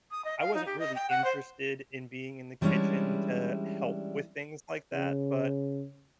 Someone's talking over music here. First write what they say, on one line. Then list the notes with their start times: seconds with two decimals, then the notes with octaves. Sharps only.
I wasn't really interested in being in the kitchen to help with things like that, but
0.11 D#6
0.25 D#5
0.41 F5
0.54 D#4
0.66 G4
0.79 D#5
0.96 G5
1.10 F#5
1.24 C5
2.61 E3 G3 G#3 C#4 D4 E4
4.92 C#3